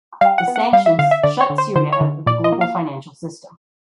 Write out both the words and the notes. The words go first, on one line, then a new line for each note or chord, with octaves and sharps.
The sanctions shut Syria out of the global financial system.
G3 F5
F#5
B3
F#5
G3 F5
E5
D3 F5
E5
D3 D5
C#5
D3
C5
D3 C5
C#5
D3
A#2 D5
D#5
A#3
F5